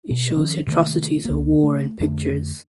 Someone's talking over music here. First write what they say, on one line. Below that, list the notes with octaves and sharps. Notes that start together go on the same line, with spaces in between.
It shows the atrocities of war in pictures.
B2
D#3 F3 C#4
C3 D#3 A3 A#3
C#2 A#3
A3
F2 D3 A3 D4